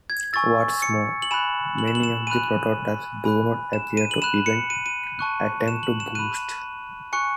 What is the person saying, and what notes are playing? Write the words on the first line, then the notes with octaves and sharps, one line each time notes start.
What's more, many of the prototypes do not appear to even attempt to boot.
G#6
G#5 C#6 E6 A6
C#7
F#7
G#5 B5 F#6 E7
F#7
E7
F#7
E7
G#5 B5 F#6 D#7
G#5 B5 F#6
E7
D#7
F#7
B5 F#6 E7
C#7
D#7
D#7
A5 C#6 F#6
E7
F#7
E7
B5 F#6 D#7
G#5 C#6 F#6 C#7